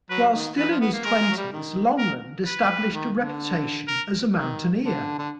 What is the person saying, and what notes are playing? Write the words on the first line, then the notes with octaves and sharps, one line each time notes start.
While still in his twenties Longland established a reputation as a mountaineer.
F#3 B4
D#3
E3 B4
F3
B3
A#3
G#3 A#4
G#3
F#3
G3
D#3
A#4
B4
D#3
D3
A#4
D#3
D3
D3